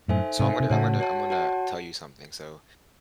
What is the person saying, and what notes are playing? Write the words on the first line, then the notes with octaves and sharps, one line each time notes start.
so I'm gonna I'm gonna I'm gonna tell you something, so,
F#2 A2 D#4 A4 C5 E5 G#5
G#2 C3 D#4 A4 C5 E5 G#5
C3
A2 C#3 F#4 C#5 F#5 A5
F#4 C#5 F#5 A5
F#4 C#5 F#5 A5